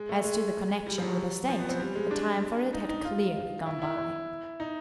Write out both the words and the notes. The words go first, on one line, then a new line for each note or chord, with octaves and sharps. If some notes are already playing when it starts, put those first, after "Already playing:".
As to the connection with the State, the time for it had clearly gone by.
Already playing: G#3
A3
G#3
G3
F3
F#3
F3
B3
C4
G3
G#3
D4
D#4
D#4
F4
E4
E4
E4
D#4